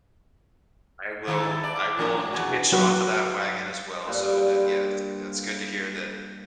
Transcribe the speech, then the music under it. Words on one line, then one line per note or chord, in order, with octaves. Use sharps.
I will I will t hitch onto that wagon as well so, the Yes, it's good to hear that
D#3 E4 A4
D5
A2 F3 D4
E2 A#3 F#4
F#3 F#4 B4
G2 A#2 B4 C5
G5